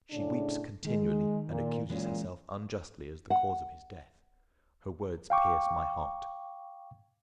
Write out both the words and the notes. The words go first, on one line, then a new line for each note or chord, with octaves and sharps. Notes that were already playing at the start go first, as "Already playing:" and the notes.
She weeps continually, and accuses herself unjustly as the cause of his death; her words pierce my heart.
A2 C#3 D4
D#3 G#3
A#2
A#2 E3 F#3 G#3 C#4
F#5
F5 G5 C#6 D6